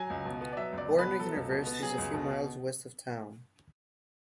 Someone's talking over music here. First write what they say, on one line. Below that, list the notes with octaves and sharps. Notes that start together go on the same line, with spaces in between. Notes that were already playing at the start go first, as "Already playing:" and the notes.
Warner University is a few miles west of town.
Already playing: F#3 G#5
C#2
B2
B3
D5
F#3 E5
C#2
D5
B2
B4
B3
F#3 A4
C#2
B2
B3
F#3 G#4
C#2
B2